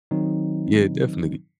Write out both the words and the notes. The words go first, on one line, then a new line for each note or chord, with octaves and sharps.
Yeah. Definitely.
D#3 F#3 C4 D#4